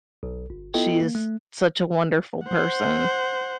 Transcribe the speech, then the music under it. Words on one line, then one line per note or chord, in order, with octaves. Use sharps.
She's such a wonderful person.
B1
G1
B3 E4 F4 A4 D#5 G5
A#3
A3
C5 F#5